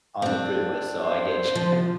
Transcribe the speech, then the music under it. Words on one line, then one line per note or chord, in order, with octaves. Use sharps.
on the freeway, so I get you,
C4 D4
C5
F3